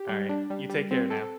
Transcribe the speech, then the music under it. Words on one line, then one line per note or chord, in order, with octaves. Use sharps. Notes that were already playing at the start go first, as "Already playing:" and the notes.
Alright. You take care now.
Already playing: G4
G3
D4
G3
G3
C4
A4